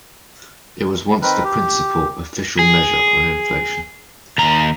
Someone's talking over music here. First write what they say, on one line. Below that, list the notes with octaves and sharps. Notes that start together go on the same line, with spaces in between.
It was once the principal official measure of inflation.
D#3 C4 A#4 B4
G4
G#4
D#2 A#5